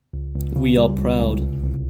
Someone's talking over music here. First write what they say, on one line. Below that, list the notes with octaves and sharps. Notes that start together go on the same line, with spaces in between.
We are proud.
C#2
C#2
C#3
G3
C#2
C#2
C2
C2